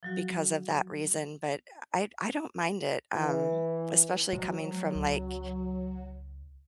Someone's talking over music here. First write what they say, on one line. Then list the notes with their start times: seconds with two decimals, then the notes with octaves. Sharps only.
because of that reason, but I I don't mind it, um, especially coming from, like,
0.03 F3 F#3 F#4
3.14 E3
4.33 F3 F#3 G#3
4.95 C#2